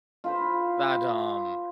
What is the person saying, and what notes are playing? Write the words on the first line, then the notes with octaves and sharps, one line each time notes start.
but, um,
F4 B4 C5